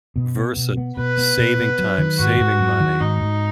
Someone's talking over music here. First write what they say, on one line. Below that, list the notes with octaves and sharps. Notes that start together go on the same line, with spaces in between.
versus saving time, saving money,
B2
B3
B2
B3
B2 B4
B3
B2
B3
F#3
D#3
G#2 F#4
G#2
F#3
D#3
G#2 D#4
G#2